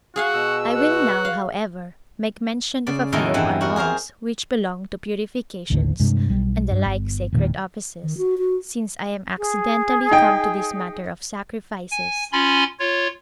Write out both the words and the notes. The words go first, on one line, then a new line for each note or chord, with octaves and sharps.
I Will now, however, make mention of a few of our laws which belong to purifications, and the like sacred offices, since I am accidentally come to this matter of sacrifices.
F#4 G#4 F5 G#5
B2 E6
F#4 B4
F5
C#3 D5
E2 A2 D#3 E3 A#3 D#5
G2 E3 C4 F#5 G#5
F#4 A#4 F#5
G#4 A#4 C5 F5
A1 D#2 A2 D3
G2 C3 G#3
B1 G3
G2
G1
E1 A#2 D#3
D#3
F#4
F#4
G#4
D#4 G5
G#5
C#4 F4 G#5 B5 C6
F4 C#5